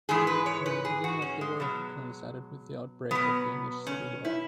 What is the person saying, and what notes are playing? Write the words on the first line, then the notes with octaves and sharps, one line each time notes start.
The beginning of the work coincided with the outbreak of the English Civil War.
G#2 E3 G#3 G#4
B4
C#5
B4
G#4
F#4
C#4
G#3
B2 F#3
B2 F#3 B3
C#4
E4